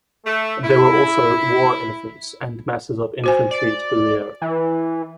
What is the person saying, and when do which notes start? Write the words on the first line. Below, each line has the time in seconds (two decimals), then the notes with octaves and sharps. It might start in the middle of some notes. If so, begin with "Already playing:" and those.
There were also war elephants and masses of infantry to the rear.
0.25 A3
0.64 E4
3.24 F#4 C5 G#5
3.51 D5
4.42 E3